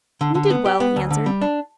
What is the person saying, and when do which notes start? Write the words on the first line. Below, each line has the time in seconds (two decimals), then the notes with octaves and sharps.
"We did well," he answered.
0.21 D3
0.35 D3
0.50 B3
0.66 G4
0.80 B3
0.96 D2
1.10 D3
1.26 G3
1.42 D4